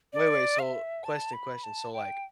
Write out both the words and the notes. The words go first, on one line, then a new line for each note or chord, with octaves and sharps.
Wait, wait, so question, question, so, like
D5
F5
E5
A5
B5
A5
G5